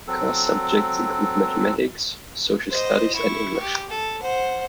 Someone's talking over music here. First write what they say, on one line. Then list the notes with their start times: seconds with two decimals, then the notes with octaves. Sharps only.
Core subjects include mathematics, social studies and English.
0.07 F#3 C4 A4
2.70 C5 D#5
3.14 E4 C#6
3.61 G4
3.89 A4
4.22 C5 F#5